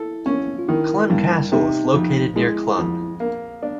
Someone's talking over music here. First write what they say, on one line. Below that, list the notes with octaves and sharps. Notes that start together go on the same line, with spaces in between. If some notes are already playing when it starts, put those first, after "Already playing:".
Clun Castle is located near Clun.
Already playing: E4 A4
C#4
F4
D#3 E4
G2
C3 D#4
F2
G#3 E4
F2
A#3
D4